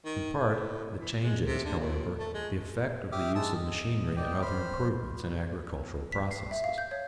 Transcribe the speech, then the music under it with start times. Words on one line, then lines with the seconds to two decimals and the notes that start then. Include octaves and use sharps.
In part the change is, however, the effect of the use of machinery and other improvements in agricultural processes.
0.05 D#3
0.48 A2
0.98 E3
1.23 G#3
1.44 C3
1.65 D3
1.79 A#2
2.19 A3
2.34 G#3
3.12 G4 E5 D6 D#6 F6
3.35 G#3 A5 D#6 E6
3.55 D#5
4.17 D5 D#5 G5
4.42 C5 B5 F6
6.12 B6
6.31 C7
6.51 E5
6.64 F5
6.78 G6
6.91 C#5